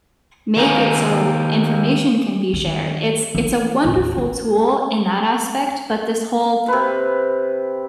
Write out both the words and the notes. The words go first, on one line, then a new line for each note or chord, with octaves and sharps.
make it so information can be shared, it's it's a wonderful tool in that aspect, but this whole
D#3 A#3 C5 F#5 G#5
D#3
E3 E4
A1 D#2
C#4
C3 B4